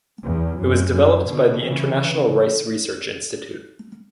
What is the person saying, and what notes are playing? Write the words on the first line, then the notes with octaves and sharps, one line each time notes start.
It was developed by the International Rice Research Institute.
E2
F#2
F#2
B2 D3
C#3 E3